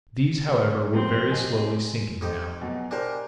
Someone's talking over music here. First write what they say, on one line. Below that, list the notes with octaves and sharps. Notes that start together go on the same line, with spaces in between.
These, however, were very slowly sinking, now.
G#1 B4
F3 G3 B3 C4
G4 D#5 G#5
F2 D#4 G4
B2 F#3 G#5
D4 G4 A#4 C5 G#5